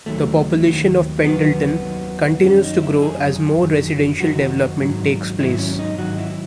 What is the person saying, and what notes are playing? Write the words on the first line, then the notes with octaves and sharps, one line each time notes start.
The population of Pendleton continues to grow as more residential development takes place.
D#2 D#3 F#3 A3
D#2 D#3 F#3
D#2 D#3 F#3 B3
D#2 D#3 F#3
F#2 D#3 F#3 C#4
D#4
E4
F#2 D#3 F#3 G#4
F#2 D#3 F#3
F#2 D#3 F#3 F#4
G#2 D#3 F#3
G#2 D#3 F#3 E4
C#4
D#4
G#2 D#3 F#3 F#4
E4